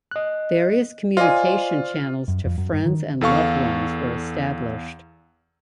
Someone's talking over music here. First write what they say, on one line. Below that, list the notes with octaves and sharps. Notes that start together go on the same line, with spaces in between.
Various communication channels to friends and loved ones were established.
D#5 F#6
F4 C5 D5 D#5 G#5
F#2
F2
F#2
G2
D#3
E2 A4 F5 C#6